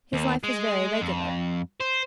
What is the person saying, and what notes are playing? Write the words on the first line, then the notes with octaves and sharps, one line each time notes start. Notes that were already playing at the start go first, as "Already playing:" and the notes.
His life was very regular.
D#2
G#3
F2
C5